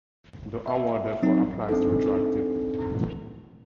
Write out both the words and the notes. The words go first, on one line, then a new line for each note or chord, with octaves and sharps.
The award therefore applies retroactively.
E5
F#3 C4 D#4
C4 D4 D#4 A4